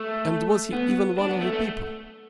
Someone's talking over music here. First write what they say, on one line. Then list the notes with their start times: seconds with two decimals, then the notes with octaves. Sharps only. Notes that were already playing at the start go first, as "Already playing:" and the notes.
And was he even one of the people?
Already playing: A3
0.73 B3
1.18 D4
1.29 B3
1.41 A3
1.53 A3